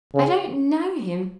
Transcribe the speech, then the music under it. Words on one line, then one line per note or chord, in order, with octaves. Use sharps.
I didn't know him!
C#3